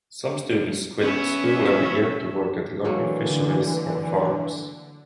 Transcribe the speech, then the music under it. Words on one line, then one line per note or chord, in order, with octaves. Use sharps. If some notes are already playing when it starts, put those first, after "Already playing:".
Some students quit school every year to work at the local fisheries and farms.
B3 C#4 E5
D3 E3 F#3 A3 A#3